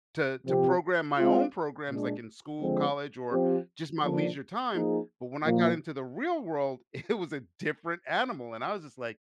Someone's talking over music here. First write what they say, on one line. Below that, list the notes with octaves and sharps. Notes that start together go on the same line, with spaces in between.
to to program my own programs, like, in school, college, or just my leisure time, but when I got into the real world, it was a different animal, and I was just like,
C3 F3 C4 G4
G#3 C4 F4
A#2 G#3 D4
D3 F3 G#3 C4
F3 C4 G4
D3 F3 A#3 D4
F3 A#3 D#4 G#4
A#2 F3 A#3